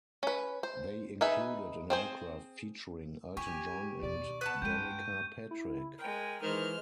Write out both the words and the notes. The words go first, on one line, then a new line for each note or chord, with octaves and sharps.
They included an aircraft featuring Elton John and Danica Patrick.
C#4 B4
C5
D#4 G#4 B4 E5
C4 G#4 C5
F4 G4 G#5 C#6
D#2 B2 D5
B3 B4 F#5 A5
G2 G#3 C#4 F4 G5 G6 D#7
E4
G#3 A#4 G5
D#3 E3 G#3 C5 F6